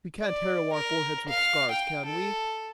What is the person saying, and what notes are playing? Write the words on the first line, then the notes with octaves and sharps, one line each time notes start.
We can't harrow our foreheads with scars, can we?
D5
A#4
F5
G5
A4